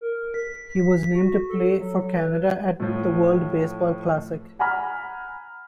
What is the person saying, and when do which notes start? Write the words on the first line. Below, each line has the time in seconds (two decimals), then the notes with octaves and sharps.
He was named to play for Canada at the World Baseball Classic.
0.01 A#4
0.34 B6
0.69 B6
1.15 F#4
1.50 A4
1.79 F#3
2.15 B4
2.80 A2 F3
4.59 F#5 G#5 A#5 B5 F6